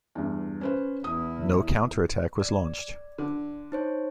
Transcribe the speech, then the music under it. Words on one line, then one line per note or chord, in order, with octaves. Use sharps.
No counter-attack was launched.
E2 G2
C#4 B4 C5
E2 E4 D#6
D5
D3
D#4 C5 C#5